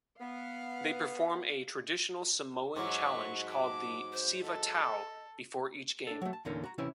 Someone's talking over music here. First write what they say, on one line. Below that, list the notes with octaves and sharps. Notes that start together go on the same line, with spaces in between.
They perform a traditional Samoan challenge called the siva tau before each game.
B3 F5
G#2 F#3 C#6 D6
A5 D6
C5
A4 D#5
D4 A4
F#3 A3
A5
E2 A#2 D3 A#3 C#4 D#4
F#4 A#5
C3 E3 C#4 E4 B4